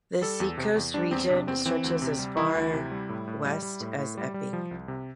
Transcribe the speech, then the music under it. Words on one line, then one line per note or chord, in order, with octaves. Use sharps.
The Seacoast Region stretches as far west as Epping.
G3 A4
E2
C3
E2
G3 D4
E2 C4
C3 D4
E2 C4
E3 C4
D2
C3
G3
E3 E4
D2
C3
G3
A2
A2
G3
G3
A2
A2
G3
G3
F3
C2
C3